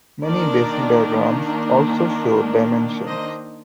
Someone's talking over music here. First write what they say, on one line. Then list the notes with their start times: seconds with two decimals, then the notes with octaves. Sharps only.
Many basing diagrams also show dimensions.
0.24 D#3 A#3 D4 A#4 D5
3.07 C5 D#5